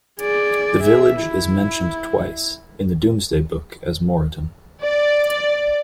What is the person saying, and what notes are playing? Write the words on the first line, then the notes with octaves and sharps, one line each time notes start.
The village is mentioned twice in the "Domesday Book" as "Moretun".
G#4 D5
G#4 E5
E4
D5